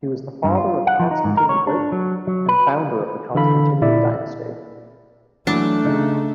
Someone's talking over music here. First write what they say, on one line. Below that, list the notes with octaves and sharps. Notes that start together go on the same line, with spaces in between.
He was the father of Constantine the Great and founder of the Constantinian dynasty.
G2
F4
F#5
F3
D#4
G#2
A#4
C#5
D4
F#3
F#3
B4
D3 E3 A4 F5 B5
A#2 E4 D5 E5
E3 F#3 A3 D4
C#3 D#4